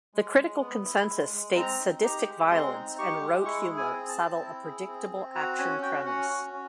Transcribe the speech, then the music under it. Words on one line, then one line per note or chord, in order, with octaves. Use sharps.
The critical consensus states Sadistic violence and rote humor saddle a predictable action premise.
G#3
G#3
B3
E4
G#3
G#3
C4 A#5
D#4
G4 A#5
G#3
C4 C6
D#4
G4 C#6
G#3
E4 C#6
G#4
G#5
C4
A5
C4
E4
G#4
C4
C4
F#4 A#5
C#4 G#5
F#4 G5
C#4 F#5
F#4
C#4